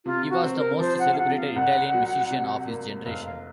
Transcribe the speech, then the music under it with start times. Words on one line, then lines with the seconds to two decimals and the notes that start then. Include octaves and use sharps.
He was "the most celebrated Italian musician of his generation".
0.05 C3 F4
0.30 F#4
0.43 C4
0.55 A#4
0.80 F3 C5
0.99 F#5
1.13 F5
1.18 C3 F#5
1.36 F5
1.55 C2 F#5
1.94 F#3
2.31 C3
2.68 A#3
3.05 F1 F5
3.25 F5